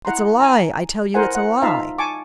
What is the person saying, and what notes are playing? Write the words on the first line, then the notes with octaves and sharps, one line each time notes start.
"It's a lie--I tell you it's a lie!"
E4 F#5 A#5 C6
G#5 A#5
E4 A#4 C5 F#5 G#5
F#5
D#4 F4 E5 F5 A5 A#5
G#5 A5 C#6 D6